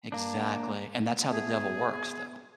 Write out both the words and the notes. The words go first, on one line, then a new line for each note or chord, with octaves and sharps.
Exactly, and that's how the devil works though.
A#3 D4
B3 G#4 E5 A5